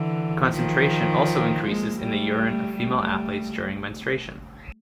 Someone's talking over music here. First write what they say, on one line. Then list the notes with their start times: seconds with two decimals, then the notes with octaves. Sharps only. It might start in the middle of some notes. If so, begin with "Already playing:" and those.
Concentration also increases in the urine of female athletes during menstruation.
Already playing: D3 E3
0.51 D#3 F3
1.64 G#3 A#3
2.02 G3 A3
2.76 G3 A3